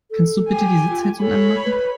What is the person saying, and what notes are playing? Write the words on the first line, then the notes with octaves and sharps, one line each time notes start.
Kannst du bitte die Sitzheizung anmachen?
A4
G4 G#5
F4
A4 C#5 B5
B4